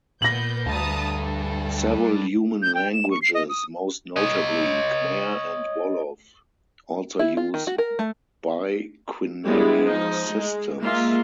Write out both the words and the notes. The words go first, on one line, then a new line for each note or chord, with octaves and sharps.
Several human languages, most notably Khmer and Wolof, also use biquinary systems.
A#2 B3 G6 A#6 F#7
D2 G3 B4 A5 A#5 D#6
A4
G6
G5
E7
C#6
C7
D#5
D#6
C#5 D#5
E4
F4
D#3
F#4
A#4
A3
G3 G#3 B3 E4 G#4
F3 D#4
G#3
G#3 A#3 F4 E5